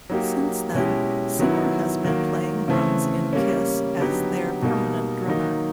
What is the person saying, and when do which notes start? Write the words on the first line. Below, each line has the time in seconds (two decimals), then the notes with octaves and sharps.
Since then, Singer has been playing drums in Kiss as their permanent drummer.
0.10 F#3 A#3 D#4 G4
0.74 B2 G#3 C#4 E4 G4
1.39 D#3 F#3 B3 E4
2.05 D#3 F#3 A#3
2.68 C#3 E3 A3 C4
3.33 G3 A#3 C#4
3.98 D3 F#3 B3 D#4 G4
4.62 B2 G3 A#3 D#4
5.27 D#3 F#3 A#3 D#4